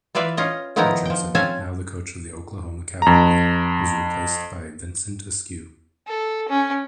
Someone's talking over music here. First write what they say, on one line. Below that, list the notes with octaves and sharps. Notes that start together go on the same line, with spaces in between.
Richardson, now the coach of the Oklahoma Cavalry, was replaced by Vincent Askew.
E3 F4 B4 D5 E5
C#4 F4 D#5
D#3 F3 B3 D#4 E4 A#5
F3 G5
C4 C#4 F4 F5 G#5 A5
F2 A#5
A4
C#4